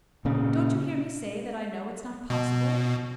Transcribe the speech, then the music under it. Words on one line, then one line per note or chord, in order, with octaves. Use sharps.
Don't you hear me say that I know it's not possible?
A#2 C#3
B2